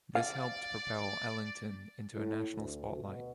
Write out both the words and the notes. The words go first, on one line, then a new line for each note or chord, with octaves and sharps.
This helped propel Ellington into a national spotlight.
D5 F5
A2
D2
B2